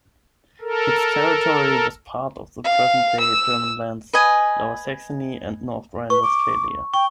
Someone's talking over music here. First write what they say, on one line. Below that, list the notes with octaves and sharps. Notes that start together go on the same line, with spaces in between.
Its territory was part of the present-day German lands Lower Saxony and North Rhine-Westphalia.
A4 A#4
F5
E6
B4 D#5 G#5
B4 C#6
D6
G5 C#6